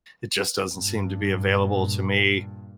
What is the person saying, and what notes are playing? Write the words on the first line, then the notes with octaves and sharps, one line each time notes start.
it just doesn't seem to be available to me
G2 A#2